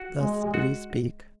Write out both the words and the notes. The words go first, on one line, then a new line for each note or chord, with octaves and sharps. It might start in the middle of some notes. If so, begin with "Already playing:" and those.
Thus did he speak.
Already playing: F#4
G#3
F#4